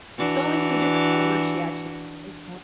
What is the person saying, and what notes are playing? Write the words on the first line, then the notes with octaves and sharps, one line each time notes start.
go into a different kind of work she actually likes more.
E3 D4 F#4